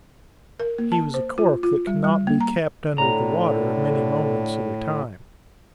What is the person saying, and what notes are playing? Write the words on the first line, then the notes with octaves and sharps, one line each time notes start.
He was a cork that could not be kept under the water many moments at a time.
A#4
A#3
A5
C5
F4
F4
G3
G3
A#3
A#5
A2 D3 A#5